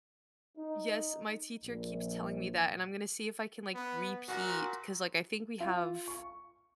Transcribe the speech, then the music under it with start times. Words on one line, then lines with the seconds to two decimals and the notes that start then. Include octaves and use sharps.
Yes, my teacher keeps telling me that, and I'm gonna see if I can, like, repeat 'cause, like, I think we have
0.57 D#4
1.63 A#1
3.74 B3
4.28 A#2 F#4
5.60 F4
6.08 C#6